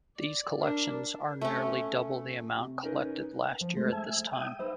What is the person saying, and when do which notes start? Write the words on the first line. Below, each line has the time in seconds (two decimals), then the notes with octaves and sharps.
These collections are nearly double the amount collected last year at this time.
0.17 D5
0.60 D4 A#4
1.41 A3 C#4
2.57 C3
2.83 C#4 D#4 A#4 B4
3.61 F3
3.76 G#3 A3 C5
3.92 E5 G#5 A5
4.33 E5 G5 D#6
4.59 D#4 B4 C5 E5